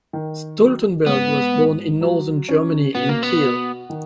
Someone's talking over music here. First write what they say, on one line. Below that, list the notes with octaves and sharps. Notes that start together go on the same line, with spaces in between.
Stoltenberg was born in northern Germany in Kiel.
D#3
F#3
G#2 B3
G#2
F#3
C#4
B2 B3
A#3
B3
F#4
D#3